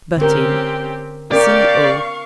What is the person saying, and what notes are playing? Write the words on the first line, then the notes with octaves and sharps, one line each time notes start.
Butt in. C.o.
D3 C4 C#4 G4 A#4
B3 C#4 G4 A#4 D5 F5 C#6